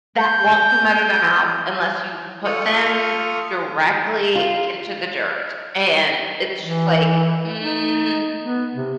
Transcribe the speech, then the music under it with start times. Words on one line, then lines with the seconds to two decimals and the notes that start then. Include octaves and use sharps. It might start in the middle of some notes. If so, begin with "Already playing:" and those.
That won't come out of their mouth unless you put them directly into the dirt. And it's just like, mm,
0.18 G6
2.44 F4 A4 C#6 D#6 F6
4.35 F4
6.62 E3
7.61 D#4
8.44 B3
8.74 C3